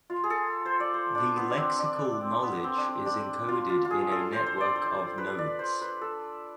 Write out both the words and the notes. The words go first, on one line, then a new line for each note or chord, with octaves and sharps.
The lexical knowledge is encoded in a network of nodes.
F4
G#4
A4
C5
D5
C5
D4
B3
D4
C4
D4
C4
B3
C4
D4
C4
D4
F4
F4
F4
G#4
A4
C5
C5
D5
C5
B4
D5
C5
B4
A4